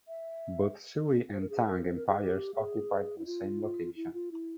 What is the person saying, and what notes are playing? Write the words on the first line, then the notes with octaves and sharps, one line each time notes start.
Both Sui and Tang empires occupied the same location.
E5
C5
A#4
G#4
A#4
C5
A#4
G#4
G4
G#4
E4
F4
E4
F4
E4